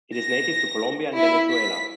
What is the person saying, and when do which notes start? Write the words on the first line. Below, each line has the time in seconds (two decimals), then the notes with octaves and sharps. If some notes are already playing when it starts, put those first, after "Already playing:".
It is native to Colombia and Venezuela.
0.17 A#6
1.16 E4
1.51 B6